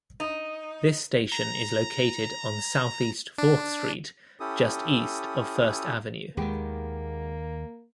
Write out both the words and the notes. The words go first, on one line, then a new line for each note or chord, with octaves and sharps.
This station is located on Southeast Fourth Street just east of First Avenue.
D#4
A#5
D4
C#4 E4 G4 A4 D#6
D#2 D#3 G#3 A#3 B3 G4